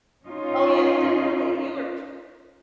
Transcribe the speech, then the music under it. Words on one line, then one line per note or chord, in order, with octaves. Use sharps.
Oh, yes, definitely. You are f
C#4 D#4 F4